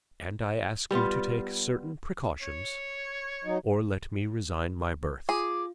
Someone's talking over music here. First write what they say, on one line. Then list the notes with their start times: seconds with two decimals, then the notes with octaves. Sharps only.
And I ask you to take certain precautions or let me resign my berth.
0.91 G3 B3 F4
2.42 C#5
3.44 F#3 D#4
5.29 F4 G#4 D6